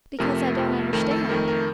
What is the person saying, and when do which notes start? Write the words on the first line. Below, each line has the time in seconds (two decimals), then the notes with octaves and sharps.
"Because I don't understand."
0.19 F2 C3 F3 A3 A#4
0.56 F2 C3 F3 A3
0.93 F2 D#3 A3 A#4
1.11 A4
1.29 F2 D#3 A3 A#4
1.48 A#4